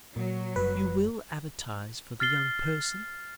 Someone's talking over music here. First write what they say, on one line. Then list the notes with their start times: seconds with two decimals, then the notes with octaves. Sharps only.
"You will advertise for the 'young person'?"
0.16 A#2 F#3
0.56 F#1 G3 B4
2.20 F6 A6 C7 G7